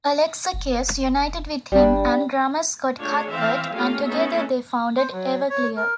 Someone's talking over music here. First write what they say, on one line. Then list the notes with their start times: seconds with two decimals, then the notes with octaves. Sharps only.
Alexakis united with him and drummer Scott Cuthbert, and together they founded Everclear.
0.54 F1
1.72 G1 G3 D4
2.98 A3 D4 F4 G#4 C#5
3.32 E3 C4 C5 E5 F5
3.73 A3 A#3 C#4 F4 G4 F5
4.07 A3 B3 C#4 D#4 A4 E5
4.97 C5
5.12 F#3
5.50 C#5
5.77 A#4